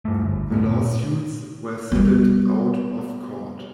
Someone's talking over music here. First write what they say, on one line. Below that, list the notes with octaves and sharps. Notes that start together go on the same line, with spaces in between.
The lawsuits were settled out of court.
G2 A3
G1
D2 A2 B3
A#2
G3 B3